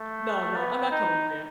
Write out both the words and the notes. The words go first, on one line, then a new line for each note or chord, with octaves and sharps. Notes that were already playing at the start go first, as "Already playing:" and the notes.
No, no, I'm not coming for you.
Already playing: A3
B3
D#4